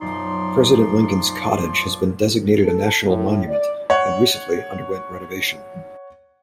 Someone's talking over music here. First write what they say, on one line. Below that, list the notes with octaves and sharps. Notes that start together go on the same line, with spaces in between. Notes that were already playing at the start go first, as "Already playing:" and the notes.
President Lincoln's Cottage has been designated a National Monument, and recently underwent renovation.
B1 F#2 F3 D#4 D5 C6
A4
A2
D5
C#5 F#5